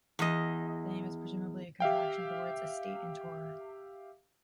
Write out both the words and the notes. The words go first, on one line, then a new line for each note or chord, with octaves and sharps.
The name is presumably a contraction of the words 'estate' and 'tourer'.
E2 D#5
G4 E5 F5 G5